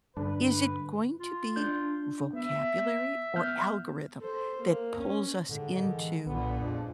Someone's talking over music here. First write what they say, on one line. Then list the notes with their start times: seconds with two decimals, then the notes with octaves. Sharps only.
Is it going to be vocabulary or algorithm that pulls us into
0.17 G2 D3 D4 B4
1.18 F4
1.56 D4 G6
2.33 B3 E5
3.36 B3 F6 G6
4.19 A4 C5
4.60 A#3
4.98 C#4
5.49 A2 D3 D#3 G#3
5.88 E3
6.26 B1 A#2 D3 B3
6.60 F2 F3 G#3 D4